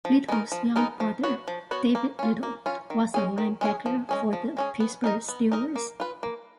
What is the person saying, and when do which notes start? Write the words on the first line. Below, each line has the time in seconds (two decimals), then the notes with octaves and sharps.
Little's younger brother, David Little, was a linebacker for the Pittsburgh Steelers.
0.05 F3
0.28 G#3 B3 D#4 A#4
0.52 F3
0.76 G#3 B3 D#4 A#4
1.00 F3
1.23 B3 F#4 C#5
1.48 F3
1.71 B3 F#4 C#5
1.95 A#3
2.19 C#4 F4
2.43 A#3
2.66 C#4 F4
2.90 D#3
3.14 G#3 C#4 G#4
3.38 D#3
3.61 G#3 C#4 G#4
3.86 F3
4.09 G#3 C#4 G#4
4.33 F3
4.57 G#3 C#4 G#4
4.80 B3
5.04 D#4 A#4 D#5
5.28 B3
5.52 D#4 A#4 D#5
5.76 A#3
6.00 F4 B4
6.23 A#3